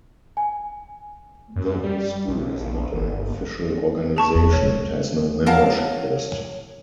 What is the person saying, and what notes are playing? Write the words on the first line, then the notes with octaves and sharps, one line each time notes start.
The school is not an official organization and has no membership list.
G#5
F#2
G3
B1
A#1
G1
G#4 A5 C#6
E2
B1 C#5
C3
E4 F#4 A#4 C#5 F5 F#5 A5